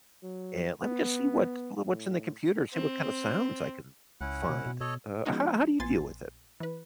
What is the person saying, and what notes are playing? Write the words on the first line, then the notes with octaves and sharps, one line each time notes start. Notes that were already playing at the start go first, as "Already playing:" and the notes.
and let me just see what wha what's in the computer, see what kinda sounds I can find." Uh, how how do you deal with it?
F#3
B3
A2
C4
C#2 C#4 E4 F#5
B2
B2
B2 A4 C#5 D#5
F3 G#3 B3 C#4 D#4 F#4
A#1 B3 G#5 C6 A6
E3 B4